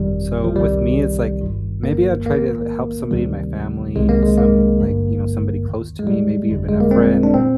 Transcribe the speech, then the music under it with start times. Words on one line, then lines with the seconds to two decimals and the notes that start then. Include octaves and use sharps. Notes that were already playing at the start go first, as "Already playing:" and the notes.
So with me, it's like, maybe I'd try to help somebody in my family, some, like, you know, somebody close to me, maybe even a friend,
Already playing: G1 F2 C3 D#3 G3
0.44 F3
0.56 C2 C3 D#3 G3
1.41 G1 G2 D#3
1.84 A#3
2.26 A#1 G#2 D#3 A#3
3.11 D2 C3 D#3 G3
3.96 C2 C3 D#3 G#3
4.09 A#3
4.23 G#3
4.38 A#3
4.80 G#1 G2 D3
5.65 D#2 D#3
5.99 G#3
6.07 G3
6.49 G1 F2 D3
6.68 G#3
6.81 A#3
6.91 C4
7.23 D4
7.34 A#2 C4